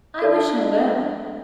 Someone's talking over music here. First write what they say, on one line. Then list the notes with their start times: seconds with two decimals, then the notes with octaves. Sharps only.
I wish I were.
0.22 D4 A4 D5 A5